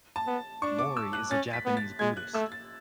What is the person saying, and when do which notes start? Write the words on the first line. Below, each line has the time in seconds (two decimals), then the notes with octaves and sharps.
Mori is a Japanese Buddhist.
0.16 A5
0.27 B3
0.62 D4 C#6
0.79 D6
0.97 E6
1.13 F#6
1.30 C#4 A6
1.53 B6
1.65 B3
1.77 A6
1.99 G#3 G#6
2.17 F#6
2.34 A3 E6
2.52 A6